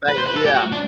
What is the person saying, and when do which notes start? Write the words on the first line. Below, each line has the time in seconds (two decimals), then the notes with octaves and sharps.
Right, yeah.
0.08 B4
0.18 C5
0.26 B4
0.36 A4
0.45 G4
0.54 F#4
0.72 D4